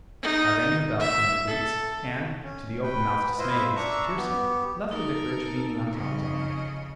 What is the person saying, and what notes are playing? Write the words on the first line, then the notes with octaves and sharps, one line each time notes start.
I rang the bell for my boots, and, to the open-mouthed dismay of Mrs Pearson, left the vicarage leaning on Tom's arm.
D#4
E5
A4
C#4
B4 G5
E4 F4 B4 C5 D#5 E5
D4 E5 A#5 C#6
B3 G4
D#4 A4 A#4
F2 C#3 D#5